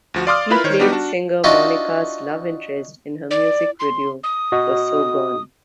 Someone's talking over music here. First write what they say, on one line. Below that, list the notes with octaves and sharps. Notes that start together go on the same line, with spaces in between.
He played singer Monica's love interest in her music video for "So Gone".
D2 F3 F#4
D5 F5 C6 D6 D#6 F6
E4 F4 A#4 B4 B5
D#3 C5 C#5
G3 B3 D4 D#4 F#4 G4
D4 F#4 A5
D4 D#4 F4 F#4 D#5 E5
D5
C6
D#6
F#4 D#5